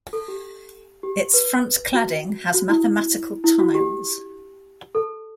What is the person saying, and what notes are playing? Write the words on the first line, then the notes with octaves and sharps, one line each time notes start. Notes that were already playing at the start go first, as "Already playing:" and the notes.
Its front cladding has mathematical tiles.
A4
G4
G4
B4
F#4
F#4
E4
E4
F#4
G4
A4